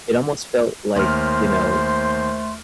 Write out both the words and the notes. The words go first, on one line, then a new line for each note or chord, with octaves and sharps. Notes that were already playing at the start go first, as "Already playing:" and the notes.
it almost felt like, you know,
D#2 A3 C5 C6 F6